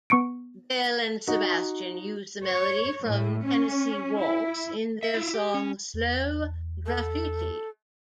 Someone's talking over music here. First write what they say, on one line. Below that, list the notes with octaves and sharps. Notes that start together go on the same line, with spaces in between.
Belle and Sebastian used the melody from "Tennessee Waltz" in their song "Slow Graffiti".
B3 C#6 C#7 D7
D#4 F#4
C#5
A2
C#4
E4
E5
E4 F4
G4
C#4
E2
A4